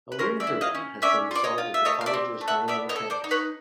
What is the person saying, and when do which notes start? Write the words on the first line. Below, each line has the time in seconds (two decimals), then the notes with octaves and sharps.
A Wind-turbine has been installed at the College's Normal campus.
0.12 B4
0.19 C#4 A#4 C5
0.40 D5 E5
0.47 E4
0.61 D#5 F5
0.75 C#4
1.02 C#4 D5 E5
1.31 F4 D5
1.44 C#5 D#5
1.58 F4
1.74 E5
1.85 A3 C#5 D#5
2.01 F5
2.06 D5 E5
2.14 C4
2.41 A3
2.48 E5 F#5
2.68 B3 D5 E5
2.89 C#5 D#5
2.96 A4
3.10 C5 D5
3.24 D#4
3.31 B4 C#5